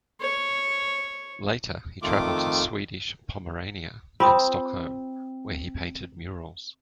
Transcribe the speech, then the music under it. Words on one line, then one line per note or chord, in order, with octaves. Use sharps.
Later he traveled to Swedish Pomerania and Stockholm, where he painted murals.
C#5
F2 D#3 A3 F4 D6
C4 F4 B5 D#6